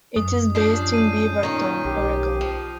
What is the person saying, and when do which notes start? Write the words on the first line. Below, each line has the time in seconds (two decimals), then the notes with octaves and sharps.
It is based in Beaverton, Oregon.
0.16 F#2 D#6
0.55 F3 G3 C#4 D4 G6 C7
0.94 G6 D#7
1.43 A#2 D#3 C#4
1.85 B1 G4
2.41 F3 G4